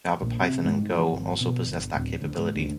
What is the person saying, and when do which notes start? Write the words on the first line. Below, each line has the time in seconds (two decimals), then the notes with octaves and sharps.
Java, Python and Go - also possess that capability.
0.22 A#1
0.40 C3
0.65 G#2
0.90 F3
1.12 G#1
1.41 B2
1.66 G1
1.94 D1
2.21 D2
2.38 G#2
2.55 D2